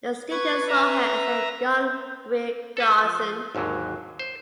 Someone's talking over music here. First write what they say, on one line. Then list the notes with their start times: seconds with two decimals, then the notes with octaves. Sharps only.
The studio saw her as a "young Greer Garson".
0.31 B4 C#6 G#6
0.68 E5 A#5
2.77 A4 B4
3.03 F3
3.55 G#1 D#2 G#2 D3 F#3
4.19 C5